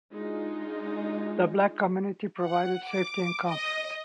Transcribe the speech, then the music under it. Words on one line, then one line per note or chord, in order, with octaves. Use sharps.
The Black community provided safety and comfort.
G#3 D4 D#4 F4 F#4
F#5
D6
D#5